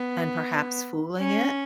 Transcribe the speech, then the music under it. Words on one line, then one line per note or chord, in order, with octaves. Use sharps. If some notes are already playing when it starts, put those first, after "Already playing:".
and perhaps fooling it
Already playing: B3
C#4